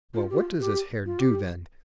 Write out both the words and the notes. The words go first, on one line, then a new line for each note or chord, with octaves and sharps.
"Well, what does his hare do, then?"
F4
G4
F4
G4
F4
G4